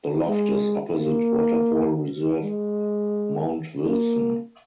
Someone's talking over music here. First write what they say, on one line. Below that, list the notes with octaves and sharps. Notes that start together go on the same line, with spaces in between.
The Loft is opposite Waterfall Reserve Mount Wilson.
G#3
A#3
G#3
A#3